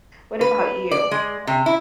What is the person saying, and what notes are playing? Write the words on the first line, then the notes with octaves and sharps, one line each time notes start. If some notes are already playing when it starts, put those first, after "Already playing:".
What about you?
B4
D5
G#3
C3
E4